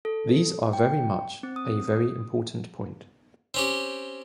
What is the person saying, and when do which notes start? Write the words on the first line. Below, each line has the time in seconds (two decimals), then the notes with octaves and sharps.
These are very much a very important point.
0.05 A4
0.73 G5
1.43 C4
1.56 D#6
3.54 C4 C#4 G4